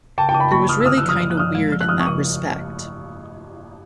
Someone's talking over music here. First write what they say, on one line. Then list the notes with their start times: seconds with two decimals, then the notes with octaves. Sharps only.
It was really kinda weird in that respect.
0.18 C#3 G5 A5
0.29 G5 A5
0.34 C#3
0.40 A5 B5
0.52 A#3 B5 C#6
0.69 C#3 D#6 F6
0.80 E6
0.85 D3 D#6 F6
0.97 E6 F#6
1.04 F3
1.09 D#6 F6
1.20 F3 F6
1.30 F#6
1.38 F3 D#6 F6
1.55 G#3
1.72 F3
1.81 F#6
1.88 F3 D#6 F6
2.00 C#6 D#6
2.06 C#3